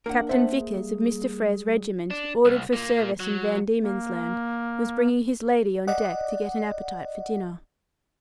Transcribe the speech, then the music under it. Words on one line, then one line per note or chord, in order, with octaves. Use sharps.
Captain Vickers, of Mr. Frere's regiment, ordered for service in Van Diemen's Land, was bringing his lady on deck to get an appetite for dinner.
A#3 D4 A#4 F#5
C5 E5 F#5 A5
G#4
G3
D4
C2
A#2 A#3
F#3
A#3
D5 D#5 F#5